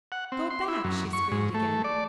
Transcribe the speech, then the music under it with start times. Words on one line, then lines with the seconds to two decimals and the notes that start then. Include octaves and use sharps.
"Go back!" she screamed again.
0.12 F#5
0.32 C4
0.50 C6
0.68 E4
0.84 F#2
1.13 C#6
1.32 G#2
1.54 A3
1.84 D5